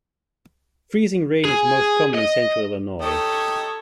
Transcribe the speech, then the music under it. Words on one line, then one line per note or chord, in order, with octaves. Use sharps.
Freezing rain is most common in central Illinois.
G#4
D#5
D#4 G4 A4 C#5 D#5